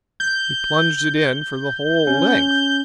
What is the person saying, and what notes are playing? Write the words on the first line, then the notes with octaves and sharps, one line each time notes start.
He plunged it in for the whole length.
G6
C#4